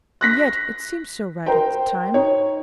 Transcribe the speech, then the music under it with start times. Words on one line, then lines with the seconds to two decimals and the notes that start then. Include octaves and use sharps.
And yet it seemed so right at the time.
0.21 F#6 A#6 B6
1.46 A#4 C5 G5
2.14 D#4 C#5